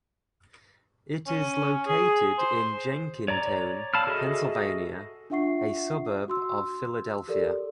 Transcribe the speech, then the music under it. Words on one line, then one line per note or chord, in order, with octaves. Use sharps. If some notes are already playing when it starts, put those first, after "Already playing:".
It is located in Jenkintown, Pennsylvania, a suburb of Philadelphia.
C#4
G#4
C5
C#5 D5 A#5
F5 A5 B5 E6 F6
F#4 G#4 A4 D#5 E5
D4 F4 E5 F#5 C#6 C7
F#4 C6 E6
G4 A4 A#4 D5